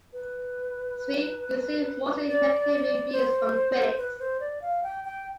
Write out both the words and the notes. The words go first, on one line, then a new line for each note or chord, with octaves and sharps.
"Sphere" received mostly negative reviews from critics.
B4
D5
C5
B4
C5
D5
F5
G5
G5